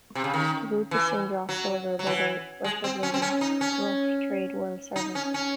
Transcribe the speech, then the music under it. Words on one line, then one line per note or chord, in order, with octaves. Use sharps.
The group was soon dropped, however, by their record label, Rough Trade World Service.
C3
C#3
D#3
E3
F#3
F#3
E3
G#3
C4
C#4
C4
C#4
D#4
C#4
D#4
C#4
C#4